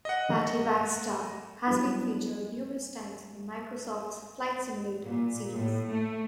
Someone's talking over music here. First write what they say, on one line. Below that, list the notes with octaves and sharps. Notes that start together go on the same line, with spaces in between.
Patty Wagstaff has been featured numerous times in Microsoft's "Flight Simulator" series.
D#5 F#5
F#3 G3 B3 D4 E4
A#2
A2
A3